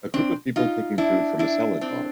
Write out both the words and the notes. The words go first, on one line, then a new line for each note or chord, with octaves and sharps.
A group of people taking food from a salad bar.
C4 D4
D#4 F4
D4 E4
D4 E4
C4 D4